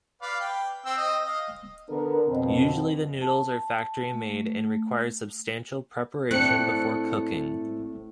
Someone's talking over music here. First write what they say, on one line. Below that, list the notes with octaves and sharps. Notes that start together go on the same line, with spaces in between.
Usually, the noodles are factory-made, and requires substantial preparation before cooking.
B4 D5 F5
G5
C4 G5 E6
D#5
D#5 F5
D3 B3 D4 A4 A#4
F2 B2 C4
A5
A3
A2 A3 C4 D4 F#6 C#7